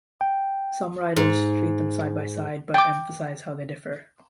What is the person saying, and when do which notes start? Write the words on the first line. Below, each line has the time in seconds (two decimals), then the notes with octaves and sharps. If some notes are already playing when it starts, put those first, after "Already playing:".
Some writers treat them side by side but emphasize how they differ.
0.21 G5
1.16 G#2
2.74 G5 D6